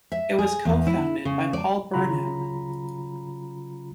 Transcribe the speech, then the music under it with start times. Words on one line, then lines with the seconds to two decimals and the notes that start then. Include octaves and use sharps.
It was co-founded by Paul Burnham.
0.12 E5
0.39 G#4
0.65 E2
0.87 E4
1.25 C#3
1.53 D5
1.94 C#3 F#3 F4 A#5 B5